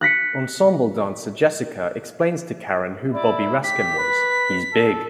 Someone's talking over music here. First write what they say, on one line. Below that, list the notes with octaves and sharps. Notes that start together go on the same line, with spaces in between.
Ensemble dancer Jessica explains to Karen who Bobby Raskin was: He's big.
F#6 A#6 B6 C#7
E4 D5
G4 B6
B4
A4